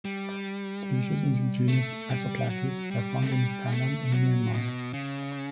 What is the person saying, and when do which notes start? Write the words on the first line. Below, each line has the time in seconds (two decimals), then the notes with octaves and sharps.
Species in the genus "Isopachys" are found in Thailand and Myanmar.
0.05 G3
1.68 A3
2.10 G3
2.49 F#3
2.91 G3
3.22 A3
3.31 G3
3.72 A3
4.12 F#3
4.53 B2
4.93 C#3